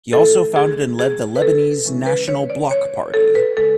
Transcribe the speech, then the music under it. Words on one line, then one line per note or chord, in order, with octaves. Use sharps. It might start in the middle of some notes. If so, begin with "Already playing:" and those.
He also founded and led the Lebanese National Bloc party.
G#2 E3 A3 E4 A4
G#4
G#4
B4
A4
C#3 E3 G#3 C#4 E4
B4
C#5
D5
C#5
A4
B4
C#3 G#3 A4